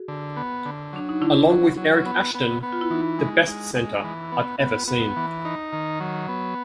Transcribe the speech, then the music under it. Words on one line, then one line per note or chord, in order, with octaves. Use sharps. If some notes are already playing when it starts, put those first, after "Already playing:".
Along with Eric Ashton the best centre I've ever seen.
Already playing: F#4 G#4
D3
B3
D3
F#3 D4
D#4
D3 D4 E4
F#3
F#3
B3
B3
B3
F4
E4
E3 D#4
G#3
G#3
G#3
E3
B3
B3
B3
E3
D#4
D#3
F#3
B3